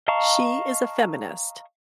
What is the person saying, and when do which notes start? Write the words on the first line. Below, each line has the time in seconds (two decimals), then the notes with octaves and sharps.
She is a feminist.
0.08 D#5 F5 A5 A#5 C#6